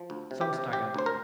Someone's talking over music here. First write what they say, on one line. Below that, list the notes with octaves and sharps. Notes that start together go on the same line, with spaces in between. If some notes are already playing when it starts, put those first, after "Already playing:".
Some stagger.
Already playing: F3
D2
C3
G4
C3
C3 G4
D2 C5
A#4